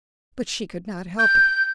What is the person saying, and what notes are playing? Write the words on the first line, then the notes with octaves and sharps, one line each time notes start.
But she could not help it.
G6